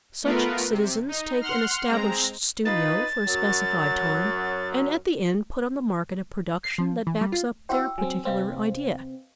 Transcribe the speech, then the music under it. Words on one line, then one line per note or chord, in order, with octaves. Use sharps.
Such citizens take an established studio for a specified time and at the end put on the market a production that backs up their particular idea.
A3 B3 F4 A#4 B4
C3
D#4
F#5 C6 F6
G#3 C4 A#5
D#4 F4 B4 A6
F#2 F#3
C7
F3
E3
G3
F4
E4 F#4 C5 G5 E6
F#3 C4 G#5
C3 C4 B4 D#5 F5